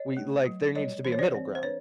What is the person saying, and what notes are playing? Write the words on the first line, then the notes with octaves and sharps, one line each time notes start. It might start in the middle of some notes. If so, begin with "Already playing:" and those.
We like, there needs to be a middle ground
Already playing: C#5 D#5
A3
F#3
G3 C#5 D#5
E3 C5
C#5
C5 D5
C4
C5
D4 B4 C#5